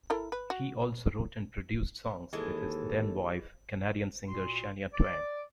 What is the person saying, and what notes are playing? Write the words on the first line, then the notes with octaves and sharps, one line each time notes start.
He also wrote and produced songs with his then-wife, Canadian singer Shania Twain.
E4 A4 A#4
B4
F#4
D#2 E3 G#3 A4
A#2 F#4 C6
D5